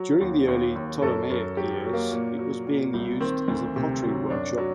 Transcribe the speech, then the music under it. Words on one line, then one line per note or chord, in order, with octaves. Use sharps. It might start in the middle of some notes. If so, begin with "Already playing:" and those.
During the early Ptolemaic years, it was being used as a pottery workshop.
Already playing: F#3
D#2
D#2
D#2
F#2 A4
F#2
F#3 G4
F#3
A#3
A#2
F#3
A#2
C2
D#3 C4
D2
C3
F#3
F#2 D4
F#3